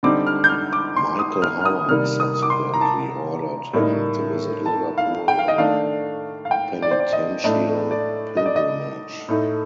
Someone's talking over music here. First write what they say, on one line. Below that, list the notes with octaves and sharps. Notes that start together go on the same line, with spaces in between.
Michael Howard subsequently ordered him to visit Liverpool on a "penitential pilgrimage".
D3 G3 C4 D#4 D6
F6
G6
F6
D6
C6
D#6
F6
F6
D#6
C3 D#3 G3 A#3 F6
D#6
D6
C6
A#5
A5
A2 G3 A#3 D#4
A5
F5
G5
F5
D#5
D#3 A3 D4 F5
F5
G5
D5
C5
D5
D#5
A2 A3 D4 D#5
D5
D#5
D5
D#5
A2 A3 D#4